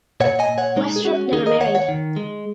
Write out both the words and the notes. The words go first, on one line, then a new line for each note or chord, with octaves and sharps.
Westropp never married.
A#2 C#5 F#5
D#5 G#5
A#2
C#5 F#5
G#3 D#4
G#4
C#4 F#4
D#2 D#4 G#4
A#4 D#5
D#2 C#5 F#5
C#5 F#5
D#3
G#3